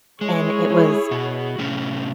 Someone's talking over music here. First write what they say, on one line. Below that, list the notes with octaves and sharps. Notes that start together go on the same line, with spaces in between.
And it was
G#3 E4 G#4 C#5
B2 F#4
A2 C3 C#4